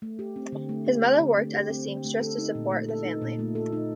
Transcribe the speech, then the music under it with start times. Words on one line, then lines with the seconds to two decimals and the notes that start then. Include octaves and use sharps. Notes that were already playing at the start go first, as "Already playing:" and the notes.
His mother worked as a seamstress, to support the family.
0.02 A3
0.19 G4
0.36 C4
0.52 D3
0.69 A3
0.86 G4
1.03 C4
1.21 D3
1.37 A3
1.54 G4
1.70 C4
1.87 D3
2.05 A3
2.21 A4
2.38 D#4
2.55 A#2
2.71 A3
2.89 A4
3.05 D#4
3.22 A#2
3.39 A3
3.55 A4
3.72 D#4